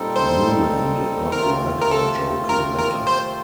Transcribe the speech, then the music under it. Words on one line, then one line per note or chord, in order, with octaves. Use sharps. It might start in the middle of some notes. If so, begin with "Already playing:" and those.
Newman did not like my joking letter.
Already playing: A#2 G3 C4 D#4 A4
C5
C3 D#3 A3 C4 F4 A#4
A#4
A4
A#4
A#4
C5